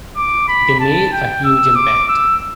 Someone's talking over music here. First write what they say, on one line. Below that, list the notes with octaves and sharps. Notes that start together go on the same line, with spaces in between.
They made a huge impact.
D6
B5
A5
G5
E6
D6
E6